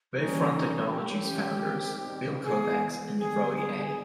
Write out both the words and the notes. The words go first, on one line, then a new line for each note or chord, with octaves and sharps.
Wavefront Technologies founders Bill Kovacs and Roy A.
E3 G3 A#3 C#4 D#4
D#4
E3 A3 C#4 G4
D#3 G3 C4
E3 G#3 B3 G#4
D3 G3 B3 G#4
G#4
G#4